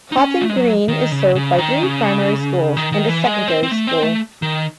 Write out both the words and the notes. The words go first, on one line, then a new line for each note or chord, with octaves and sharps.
Haughton Green is served by three primary schools and a secondary school.
D#4
C#4
A3
G#3
F#3
D#3
C#3
C#3
D#3
C#3
D#3
D#3
E3
G#3
C4
C4
A3
C4
A3
D#3